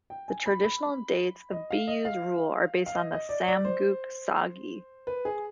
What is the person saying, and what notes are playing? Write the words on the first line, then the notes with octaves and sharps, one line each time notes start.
The traditional dates of Biyu's rule are based on the "Samguk Sagi".
G5
G#5
B5
B5
D#5
F5
D#5
F5
F5
D#5
D#5
D5
D5
C5
B4
G#4